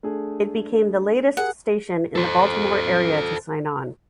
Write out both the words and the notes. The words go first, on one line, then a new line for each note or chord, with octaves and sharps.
It became the latest station in the Baltimore area to sign on.
A3 D4 G#4
G4 G#4 A#4 F#5
A4 C5